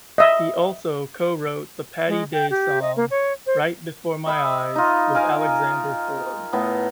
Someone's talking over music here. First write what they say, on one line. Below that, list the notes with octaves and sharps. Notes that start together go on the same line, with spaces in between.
He also co-wrote the Patti Day song "Right Before My Eyes" with Alexander Forbes.
D#5 E5
G#3
G5
G4
D#5
A#3
C#5
C5
D#5 E5 B5
D#4 F4
G#4 A#4 F5 G#5
A2 B3